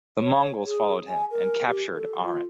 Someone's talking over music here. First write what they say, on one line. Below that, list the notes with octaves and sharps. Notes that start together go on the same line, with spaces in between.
The Mongols followed him and captured Arran.
C#5
G#4
G#5
A#4
G4
A4
F4